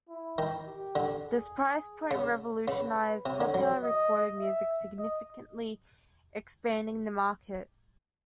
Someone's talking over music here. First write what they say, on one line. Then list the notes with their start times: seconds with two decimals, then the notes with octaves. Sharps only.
This price point revolutionized popular recorded music, significantly expanding the market.
0.09 E4
0.38 D#3
0.67 G4
0.95 D3
1.25 G#4
2.11 C#3
2.68 C#3 B4
3.25 C3 C#5
3.41 D3
3.54 F#3
3.83 D#5
4.40 E5
4.98 D#5